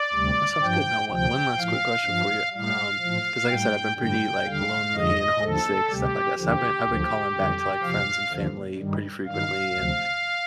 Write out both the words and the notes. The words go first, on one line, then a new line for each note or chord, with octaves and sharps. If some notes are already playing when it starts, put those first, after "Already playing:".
That sounds good. Now, o one last quick question for you, um 'cause, like I said, I've been pretty, like, lonely and homesick, stuff like that. So, I've been I've been calling back to, like, friends and family pretty frequently, and,
Already playing: D5
D2 C3 G3
G2 F3 G5
D2 C3 F3 G5
A2 F3 F5
G2 F3
A2 G3 F5
A2 F3
A2 G3 G5
G2 D3 G3 G5
D#2 D3 G3 F5
F2 D3 F3 D#5
D#2 D3 F3 A4
D2 C3 G3 G4
D#2 D3 F3 G4
D2 D3 F3
F2 D3 G3
F2 C3 F3 F5
D#2 D3 F3
G2 D#3 G3
G2 D#3 G3 F5
D2 C3 F3